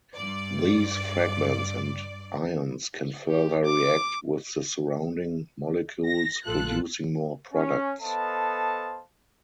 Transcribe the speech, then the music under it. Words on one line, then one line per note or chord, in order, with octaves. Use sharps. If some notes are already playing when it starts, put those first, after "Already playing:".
These fragments and ions can further react with the surrounding molecules producing more products.
G2 D5
G4
D6
A#6
A#1 A#2 F4 A4 F#6
C#4
B3 A4 C5 D#5 F5 A5